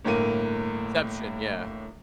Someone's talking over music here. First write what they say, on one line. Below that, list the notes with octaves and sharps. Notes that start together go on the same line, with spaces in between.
Inception. Yeah.
G1 A2 A#3 D#7